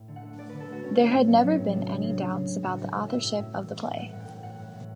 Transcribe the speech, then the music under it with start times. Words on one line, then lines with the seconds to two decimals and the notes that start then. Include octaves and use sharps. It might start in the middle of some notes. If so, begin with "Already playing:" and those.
There had never been any doubts about the authorship of the play.
Already playing: A2
0.08 D3
0.16 F#5
0.23 A3
0.38 A3 D5
0.49 D3 B4
0.60 A4
0.68 A3 F#4
0.83 A3 C#4
0.98 A3
1.13 A2
1.28 F#3
1.43 F#3
1.58 A2
1.73 C#3 D4
1.88 C#3
2.03 C#3
2.18 C#3
2.33 C#3
2.48 C#3
2.63 A2 F#4
2.78 G3
2.93 A2
3.08 A2 E5
3.23 A2
3.38 A2
3.53 E3
3.68 A2
3.83 A2
3.98 G3 F#5
4.13 A2
4.20 G5
4.28 A2
4.43 A2 F#5
4.58 A2
4.73 A2